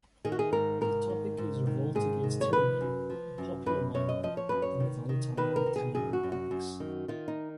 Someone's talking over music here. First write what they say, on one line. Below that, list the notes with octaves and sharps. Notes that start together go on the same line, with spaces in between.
The topic is revolt against tyranny, a popular one in the volatile Italian republics.
D#3 G#4
F#4
G#4
G#2 A#4
G#2 A#4
D#3
G#2
D#3
G#2 G#4
D#3
C#5
F3 B4
F#2
F3
F#2
F#2 B4
F#2 C#5
D#5
F3 D#5
C#5
F#2 B4
C#5
D#3
D#3
D#3 B4
A#4
D#3
G#4
F#2 G#4
F#4
F#2
F#4
F#2
D#3
D#3 F4
D#4